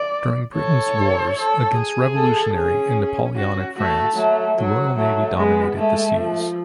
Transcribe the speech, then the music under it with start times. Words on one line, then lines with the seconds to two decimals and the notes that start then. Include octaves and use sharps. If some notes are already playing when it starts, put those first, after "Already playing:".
During Britain's wars against revolutionary and Napoleonic France, the Royal Navy dominated the seas.
Already playing: D5
0.55 A4 C#5
1.36 A4
1.76 G#4
2.15 A4
2.56 C#4 G#4
3.36 F#4
3.76 A3 F#4
4.16 F#3 A3
4.57 F#3
4.97 F#3 A3
5.37 G#3 B3
5.76 G#3 A3
6.18 F3